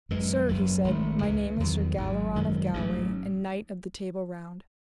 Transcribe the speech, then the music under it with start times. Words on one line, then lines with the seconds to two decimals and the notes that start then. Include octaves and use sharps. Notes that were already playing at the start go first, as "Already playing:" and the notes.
Sir, he said, my name is Sir Galleron of Galway, and knight of the Table Round.
0.09 G#1 F#2 E3 G#3
0.46 F#1 F#2 E3
0.84 G#1 G#2 D#3 A3
1.22 C#2 C#3 E3
1.60 E2 D#3 F#3
1.98 G#1 G#2 F#3
2.35 F#2 D#3 G#3
2.73 A1 G#2 F#3